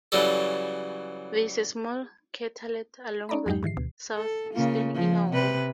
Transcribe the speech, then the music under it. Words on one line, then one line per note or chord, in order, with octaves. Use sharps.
There is a small craterlet along the southeastern inner wall.
C#3 E3 F#3 G3 A4
C#4 D#4 D5 A#5 B5
F2 G#2 F#3 G#3 D#4 G4
G#2 D#3 E3 C7
D2 B2
A4
C#3 A#3 F4
F3
C3 B4